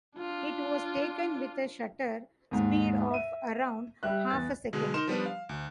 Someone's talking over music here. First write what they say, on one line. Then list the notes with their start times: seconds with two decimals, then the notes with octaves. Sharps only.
It was taken with a shutter speed of around half a second.
0.18 D4 F4
2.51 D#2 G#2
3.11 E5 D#7
4.03 G3 E5 F#6
4.30 E2 A6
4.73 B2 D3 G#3
4.94 D#4 A#4 C6 E7
5.07 F3 G3 B3 D4
5.26 F5
5.49 D2